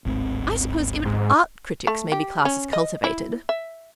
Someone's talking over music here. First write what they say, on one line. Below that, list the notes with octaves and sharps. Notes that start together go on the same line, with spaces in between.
I suppose even art-critics may be classed as cultivated.
D1 G#1 C4
G#2
A3
G4
C#4
D#5
E4
E5